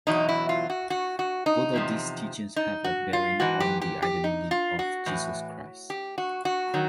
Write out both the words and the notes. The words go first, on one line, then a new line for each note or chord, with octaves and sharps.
Both of these teachings have a bearing on the identity of Jesus Christ.
E2 B2 F#3 D#4
E4
F4
F#4
F#4
F#4
D#4
E2 C3 F3
D#4
F#4
F4
G#2 E3 F#4
G4
G4
G4
D#4
F4
F#4
A2 E3
G4
F#4
F#4
D#3 F#3